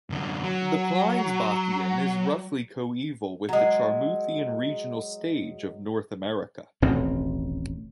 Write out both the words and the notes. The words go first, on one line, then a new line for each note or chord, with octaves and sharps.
The Pliensbachian is roughly coeval with the Charmouthian regional stage of North America.
F#2 D3
F#3
F#3 G#3
D#1 A1 B2 C4